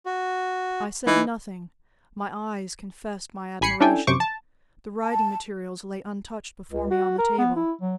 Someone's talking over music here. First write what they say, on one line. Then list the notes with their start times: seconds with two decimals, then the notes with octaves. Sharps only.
I said nothing; my eyes confessed my admiration; the writing materials lay untouched before me on the table.
0.06 F#4
1.07 E3 D#4
3.61 A1 G#5 B5 C7 C#7
3.80 C#4 D4 E4 A4 G5 G#5
4.07 F#2 C3 C5 C#6 D6
4.20 A5
5.04 A5
6.71 C#2
6.91 F#4
7.18 A#4
7.38 B3
7.56 E4
7.82 F#3